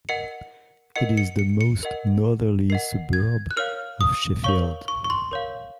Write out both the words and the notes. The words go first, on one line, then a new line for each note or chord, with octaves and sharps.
It is the most northerly suburb of Sheffield.
A#4 D#5 F#5 C#7
A#4 D#5 F#5 C#7
C#7
C#7
C#7
A#4 D#5 F#5
A#4 D#5 F#5 C7
G#6
F#6
A#4 C#5 F5 F6
D#6
A#4 C#5 F5 C#6
C#6
C#6
C6
A#4 C#5 F5